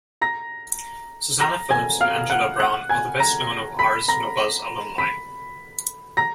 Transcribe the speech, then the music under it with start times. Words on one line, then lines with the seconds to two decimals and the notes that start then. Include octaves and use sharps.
Susanna Phillips and Angela Brown are the best known of Ars Nova's alumni.
0.21 A#5 A#6
1.40 A#5 A#6
1.71 G#5 G#6
2.01 F5 F6
2.30 F#5 F#6
2.60 F#5 F#6
2.89 G#5 G#6
3.20 A#5 A#6
3.79 B5 B6
4.08 A#5 A#6
4.98 B5 B6
6.17 A#5 A#6